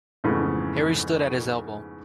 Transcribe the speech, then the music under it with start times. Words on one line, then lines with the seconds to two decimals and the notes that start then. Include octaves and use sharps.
Harry stood at his elbow.
0.24 F2 G#2 C#3 E3 A3 B3